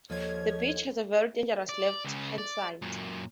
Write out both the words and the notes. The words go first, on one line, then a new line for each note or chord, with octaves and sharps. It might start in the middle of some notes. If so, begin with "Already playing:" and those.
The beach has a very dangerous left hand side.
D#2 F3 A4 C#5 D#5 G#6
D5
C#2 C#3
D5
F#2 A#2